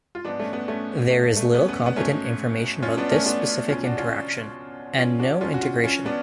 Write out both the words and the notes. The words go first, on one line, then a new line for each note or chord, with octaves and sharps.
There is little competent information about this specific interaction, and no integration.
F4
G#2 F3 B3 D4
A3 C#4
B3
A3 C#4
A3
A3
B3
C#4
B3
B3
G#2 F#3 A3 C#4
C#4 F4
B3 D4
A3 C#4
B3 D4
C#2 B2 F#3 C#4 F4
D4 F#4
C#4 F4
C#4 F4
D4 F#4
D2 D3 F#3 C#4 F4
F#4
C#4 F4
C#4 F4
B3 D4